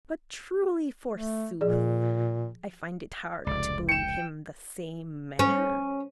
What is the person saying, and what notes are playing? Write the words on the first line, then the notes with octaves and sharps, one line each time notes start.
But truly, forsooth, I find it hard to believe him the same man.
A3
A#2 F3 G#4 D5
F1 C#2 D5
G5 C#7 E7
C#4